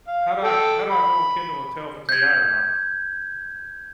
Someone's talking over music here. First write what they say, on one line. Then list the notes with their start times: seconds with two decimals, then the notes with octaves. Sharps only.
how do I how do I go on Kindle and tell if it's AI or not?
0.08 F5
0.44 A4 G5
0.91 B5
2.09 G6 G#6